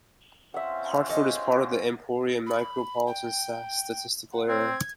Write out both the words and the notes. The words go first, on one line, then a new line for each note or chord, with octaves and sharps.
Hartford is part of the Emporia Micropolitan Statistical Area.
C4 C#4 F4 E5 F#5
A4 D#5
B5
G5
F#5
C4 G#6